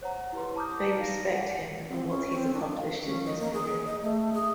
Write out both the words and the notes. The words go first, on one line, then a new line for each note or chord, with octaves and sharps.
They respect him and what he's accomplished in his career.
C5 C#5 F#5 A#5
E4 G4 B4 C6
A5 A#5 D6 D#6 F6 G6
D#4 F5 A#6
F#5 G#5
C4
C#4
C4
D4
F5
C#4
D#5
A#3
G#4
D#5
A3
G#4